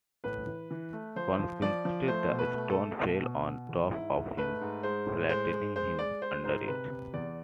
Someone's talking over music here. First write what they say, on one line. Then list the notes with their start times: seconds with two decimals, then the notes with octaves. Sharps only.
Consequently the stone fell on top of him, flattening him under it.
0.24 A2 B4
0.47 E3
0.70 E3
0.93 A3
1.16 F3 C5
1.39 F3
1.62 F3 D5
1.85 F3
2.08 A3 C5
2.30 B2
2.39 B4
2.54 A3
2.70 A4
2.77 A3
2.99 B2
3.23 B2
3.46 B2
3.69 E2
3.92 G#2 E4
4.15 G#2
4.37 A3 B4
4.61 G#2
4.83 G#3 C5
5.07 A2
5.29 G#3 C5
5.53 G#3
5.76 G#3 C5
5.99 G#3 D5
6.22 G#3 C5
6.44 G#2 C5
6.67 C3 B4
6.90 C3
7.13 E2 D5